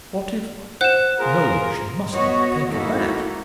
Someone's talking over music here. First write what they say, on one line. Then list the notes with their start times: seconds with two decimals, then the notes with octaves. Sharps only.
What if--no, she must not think of that!
0.81 C5 F#5 F#6 E7
1.20 F4 G#4 A#4
2.14 B3 F#4 C#5 D#5
2.70 G#3 A#3 D#4 E4 F#4 A4